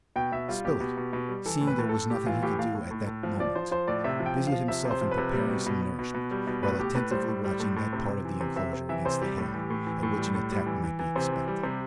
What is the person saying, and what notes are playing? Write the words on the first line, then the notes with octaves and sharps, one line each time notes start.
Spilett, seeing there was nothing he could do at that moment, busied himself in preparing some nourishment, while attentively watching that part of the enclosure against the hill, at which an attack might be expected.
B2 G5
B2 E5
G3 F4
B2 G4
B2
B2
B2
G3
E3 A4
A2
B4
A2
A4
A2
A2 G4
E3 F4
A2 G4
A2 F5
A2
A2
A2
F3
F3 D5
F3 C5
F3 C5
A2 D5
C3 E5
F3
G5
F3
F5
F3
C3 E5
C3
C5
F3
B4
C3
G3
B2
B2
B2
B2
B2
G3
B2
A2 B4
A2 G4
A2 B4
G3 C5
A2
G3
A2
A2
C3
C3
E3
C3
C3 E5
C3
E3 E5
C3 C5
G3 G4
A2
E3
A2
E3
A2
G3
A2
G3
E3
E3
E3
C3 C5
E3
G3
C3